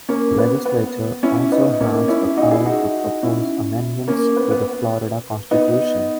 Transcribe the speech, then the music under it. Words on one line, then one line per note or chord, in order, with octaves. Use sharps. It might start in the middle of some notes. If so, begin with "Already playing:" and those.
The Legislature also has the power to propose amendments to the Florida Constitution.
A#3 C#4
B3
B3
C#4 E4
B3 D#4
A#3 C#4
C#4 E4
D#4 F#4
E4 G#4
D#4 F#4
C#4 E4
A#3 C#4
B3
B3
B3 D#4